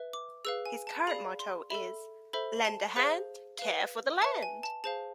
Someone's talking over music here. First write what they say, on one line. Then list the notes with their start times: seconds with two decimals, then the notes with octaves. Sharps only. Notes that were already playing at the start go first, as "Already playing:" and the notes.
His current motto is Lend a hand - care for the land!
Already playing: B4 E5
0.13 D6
0.45 G#4 B4 F5 E6
0.66 G#5
0.87 A5
1.07 G#4 D5 F5 B5
1.39 C6
1.70 A4 E5 B5
2.33 A4 C5 E5 B5
2.65 A5
2.96 G#4 C5 F5
3.59 B4 F5
4.22 B4 E5 A5
4.43 G#5
4.63 A5
4.84 G#4 C5 F5 A5